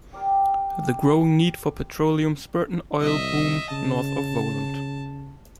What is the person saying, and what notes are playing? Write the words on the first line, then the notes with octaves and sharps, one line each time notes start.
The growing need for petroleum spurred an oil boom north of Volant.
G4 A#4 D5 G5
C2 D#5 E5
C#3 A5